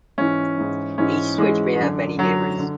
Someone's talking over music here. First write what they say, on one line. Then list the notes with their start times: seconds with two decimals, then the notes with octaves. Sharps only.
Each switch may have many neighbors.
0.18 G#2 E3 C#4
0.57 G#2 E3
0.98 G#2 E3 C#4
1.38 G#2 E3 G#3
1.78 F#2 D3
2.18 F#2 D3 F#3
2.59 D3